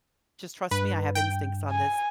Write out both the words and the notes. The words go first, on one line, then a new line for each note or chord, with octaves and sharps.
"Just trust me. I have instincts on this
G2 B4
G5
G#5